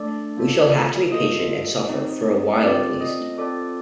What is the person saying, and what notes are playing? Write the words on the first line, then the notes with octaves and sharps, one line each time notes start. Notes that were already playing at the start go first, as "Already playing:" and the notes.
We shall have to be patient, and suffer for awhile at least.
Already playing: A3 D4 A4 D5 D6
A#3 F4 A4
A#3 F4 A4 D#5 D#6
C4 D#4 G4
C4 F4 A4 D5 D6
D#5 D#6
C4 F4 A4 D5 D6